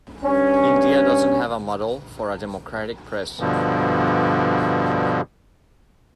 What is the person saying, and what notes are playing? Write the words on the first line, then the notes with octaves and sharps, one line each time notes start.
India doesn't have a model for a democratic press.
G2 C#4
G2 B2 D3 F3